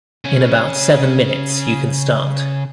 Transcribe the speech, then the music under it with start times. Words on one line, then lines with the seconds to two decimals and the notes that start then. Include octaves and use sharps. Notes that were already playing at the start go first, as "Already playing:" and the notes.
In about seven minutes you can start.
0.25 C#3 C#4